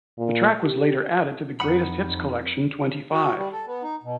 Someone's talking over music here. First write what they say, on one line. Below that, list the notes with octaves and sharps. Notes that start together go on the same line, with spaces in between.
The track was later added to the greatest hits collection "Twenty Five".
A#2
G4
F2 D#4 F#5 B5
F#4
G3
A4
B3
D#4
B2